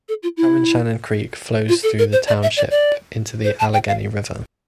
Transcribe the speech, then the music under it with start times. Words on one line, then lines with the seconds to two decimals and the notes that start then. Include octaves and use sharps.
Cowanshannock Creek flows through the township into the Allegheny River.
0.09 A4
0.23 F4
0.37 E4
1.69 F4
1.83 A4
1.99 A#4
2.12 C5
2.28 D5
2.42 E5
2.57 D5
2.71 D5
3.44 C5
3.60 A5
3.73 G5
3.88 F5